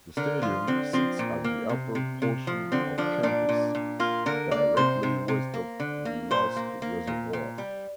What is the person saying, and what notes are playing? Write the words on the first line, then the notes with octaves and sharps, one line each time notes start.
The stadium sits at the upper portion of campus, directly west of Lusk Reservoir.
D3 A#4
F3 F4
D3 C4
F3 C4
A#2
A#3
C3
C3
C3
F3
D3 C4
F3 D4
A#2 D4
A#2
A#2
A#3 F4
D3 A#4
A#3 D5
C3 C5
C3
C3
A#3
D3
A#3
A#2 C5
A#3
A#3
A#2
A#2
G3